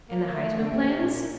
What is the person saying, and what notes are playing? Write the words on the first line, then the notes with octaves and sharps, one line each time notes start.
And the Huysman plans?
A#3
A3
D3
C3
C3
A#2